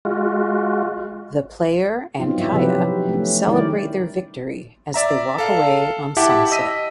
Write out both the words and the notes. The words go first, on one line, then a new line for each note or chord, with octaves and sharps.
The player and Kaya celebrate their victory as they walk away on sunset.
G#3 F4 F#4
F#3 B3 C4 D#4 F4
F#3 E4 E5
C3 F3 F#3 C4 G4 B4
A3 C#4
D#3 G3 E4 G4 A#4 D5
D5 E5 A#5
A4 F5
E4 G4 E5 F#5 A5 D6
D#5 E6 B6 D#7